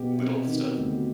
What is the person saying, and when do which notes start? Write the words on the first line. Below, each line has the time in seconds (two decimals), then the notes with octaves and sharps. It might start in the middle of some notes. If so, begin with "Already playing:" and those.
little stuff.
Already playing: B2 G4
0.18 C3
0.48 D#3
0.77 D2